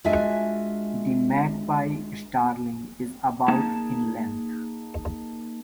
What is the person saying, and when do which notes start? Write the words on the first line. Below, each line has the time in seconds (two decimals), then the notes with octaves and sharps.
The magpie starling is about in length.
0.04 G#3 D4 F4 F#4 E5 G#5
3.48 A#3 D#4 G#4 A5